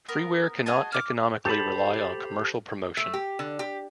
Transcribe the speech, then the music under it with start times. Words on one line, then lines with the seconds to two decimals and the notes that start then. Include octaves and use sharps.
Freeware cannot economically rely on commercial promotion.
0.08 B3 A#4
0.66 F#4 G#4 D#5 A5
0.92 D6 F6
1.46 G4 A4 C5 A5 B5
2.97 A3
3.14 G4
3.39 D3
3.59 G4